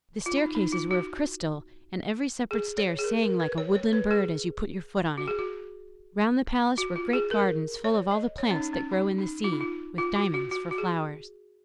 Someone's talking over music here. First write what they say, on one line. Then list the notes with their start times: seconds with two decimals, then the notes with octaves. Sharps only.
The staircases were of crystal, and every separate stair sang like a woodland bird as you put your foot on it. Round the palace were great gardens full of all the plants that grow in the sea, with diamonds for flowers.
0.26 F4
0.37 D#4
0.55 D#4
0.72 F4
0.91 F#4
2.51 G#4
2.78 C#5
2.99 G#4
3.04 A#4
3.22 A#4
3.40 B4
3.58 C#5
3.75 C#5
3.93 B4
4.11 G#4
5.18 F#4
5.28 G#4
5.39 F#4
6.78 F#4
6.96 F4
7.13 G#4
7.31 A#4
7.84 C#5
8.11 D#5
8.38 C#5
8.51 C#4
8.56 D#4
8.73 C#4
8.91 D#4
9.18 D#4
9.44 F4
9.53 D#4
9.61 F4
9.98 F4
10.16 F#4
10.34 F#4
10.51 F#4
10.71 F#4
10.78 G#4